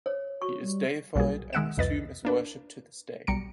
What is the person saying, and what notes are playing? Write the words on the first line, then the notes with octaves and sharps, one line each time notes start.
He is deified and his tomb is worshipped to this day.
C#5
F#4 C#6
G3
B1 B2 G3 A#3 G#4
D#3 G#3 E5 F#5 D7 E7
C2 F2 B4 D#5 A6
A#3 D4 B4
B1 G3 A#5 C#7 D7